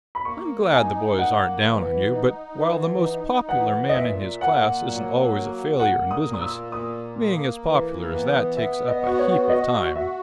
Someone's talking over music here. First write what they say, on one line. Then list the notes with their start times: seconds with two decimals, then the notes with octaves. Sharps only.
I'm glad the boys aren't down on you, but while the most popular man in his class isn't always a failure in business, being as popular as that takes up a heap of time.
0.15 B5
0.25 A#3 C#6
0.72 D#4 G#5
1.18 A#3 F#5
1.64 E3
2.10 D#4
2.56 E3
3.03 D#4
3.49 E3 F#5
3.89 D#5
3.95 A#2 E5
4.41 A#3 F#5
4.88 F#3
5.34 A#3
5.80 A#3 F#5
6.11 D#6
6.27 A#2
6.34 D#6
6.41 E6
6.72 A#3 D#6
7.18 A#3
7.64 E3
8.11 B3
8.57 B3 E5
8.88 D#5
9.03 F#4
9.19 C#5
9.49 F#4 D#5
9.96 F#4 E5